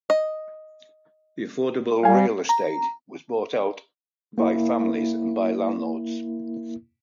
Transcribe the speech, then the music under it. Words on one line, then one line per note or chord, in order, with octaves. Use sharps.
The affordable real estate was bought out by families and by landlords.
D#5
G3 F5 G#5
A#5
A#3 E4